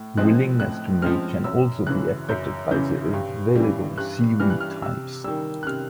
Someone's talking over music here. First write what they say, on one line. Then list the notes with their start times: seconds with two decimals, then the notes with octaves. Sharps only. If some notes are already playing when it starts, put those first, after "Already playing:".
Willingness to mate can also be affected by the available seaweed types.
Already playing: A2
0.17 F3 G#3 C4 F#6
0.59 A2 F#6
1.02 F3 G#3 C4 F6
1.44 F#2 E6
1.86 C#3 E3 F#6
2.29 F#2 G6
2.71 C#3 E3 G6
3.13 G2
3.55 E3 G3
3.98 G2 F#6
4.40 E3 G3 F6
4.50 F#6
4.60 F6
4.82 C3 E6
5.24 D#3 G3 E6
5.63 F#6
5.67 C3 F6